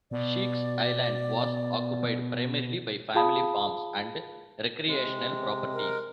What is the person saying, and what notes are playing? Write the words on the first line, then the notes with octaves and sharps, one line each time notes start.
Sheek's Island was occupied primarily by family farms and recreational properties.
B2 D5
F4 G#4 F5 A5 B5 D#6
C3 G#3
A#4